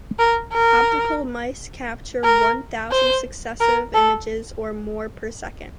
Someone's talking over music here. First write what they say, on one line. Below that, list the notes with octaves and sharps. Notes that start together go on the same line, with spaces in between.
Optical mice capture one thousand successive images or more per second.
A#4
A#4
A#4
C5
A#4
A4